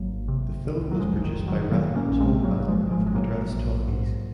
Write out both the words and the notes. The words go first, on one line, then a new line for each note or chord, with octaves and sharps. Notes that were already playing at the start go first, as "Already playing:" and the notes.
The film was produced by Ratnam's home banner of Madras Talkies.
Already playing: G#1 F#3 A#3
C3
C2
F#3
F#1 F3 G#3
D#3
F#1
D#3 F#3
A#2 F#3 A#3
A#3 C#4
A#1
G#3 C4
G#1 F#3 A#3
F3 G#3
G#1
F3 G#3
G#3
A#2 F#3 A#3
A#1
G#2